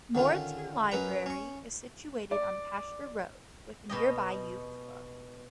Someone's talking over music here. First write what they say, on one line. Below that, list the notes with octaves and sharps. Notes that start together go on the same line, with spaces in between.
Moreton Library is situated on Pasture Road, with a nearby youth club.
D3 D#3 C#4 F4
F#2 C#4 B4 A#5
C#4 C#6
D5
B2 G4 D#5